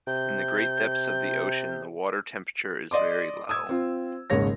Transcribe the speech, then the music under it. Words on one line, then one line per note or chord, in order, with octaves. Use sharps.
In the great depths of the ocean the water temperature is very low.
C3 G6
D5 D#5 C6 D6
D#6 E6 G#6
C4 F4
D#1 G#1 C#3 G#3 C#5 A#6